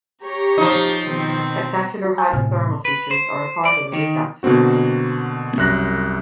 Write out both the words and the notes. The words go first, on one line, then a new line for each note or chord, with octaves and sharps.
Spectacular hydrothermal features are a part of the Richat Structure.
G4 C#5 A#5
F3 D#4
B2 D#3 C4
F#4
G#5 A5 G6
A2 C3 G#5 F6
B4
C5
D5
D#3
B2 D3 A#3 C4 F#4
C2 F#2 F#6 A#6